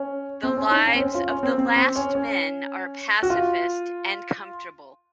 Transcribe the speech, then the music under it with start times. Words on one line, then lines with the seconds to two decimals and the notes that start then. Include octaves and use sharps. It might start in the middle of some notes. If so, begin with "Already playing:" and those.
The lives of the last men are pacifist and comfortable.
Already playing: C#4
0.43 C4
0.57 C#4
0.71 D#4
0.86 C#4
0.95 C4
1.00 C#4
1.15 F4
1.28 C#4
1.43 C4
1.58 C4
1.76 C4
1.96 C#4
2.15 C#4
3.23 F#4
3.30 F4